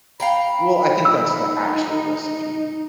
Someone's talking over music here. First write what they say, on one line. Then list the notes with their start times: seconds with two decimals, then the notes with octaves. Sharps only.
Well, I think that's the actual recipe,
0.20 F5 G5 A#5 B5
1.05 D#4 E6